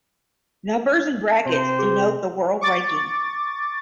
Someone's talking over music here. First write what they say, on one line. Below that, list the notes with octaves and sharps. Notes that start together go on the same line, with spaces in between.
Numbers in brackets denote the World ranking.
C3 C4 C5
G#4 B4
C#6 D6 A6